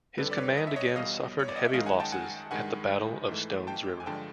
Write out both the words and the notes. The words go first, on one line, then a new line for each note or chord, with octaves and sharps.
His command again suffered heavy losses at the Battle of Stones River.
F2 D3 G3 A4 B4
D5
B4 C#5
D#5
E5
C#5 D#5
E2 B2 G3 D#5 F5
C#5
D5
D#5
E5
F#2 D#3 G#3 D#5 F5
F#5 G#5
G5 A5
F#5 G#5
G2 D#3 G#3 F#5 G#5
G#2 E3 A3
G5 A5
G#5
G2 D3 F3 G#3 G5 A5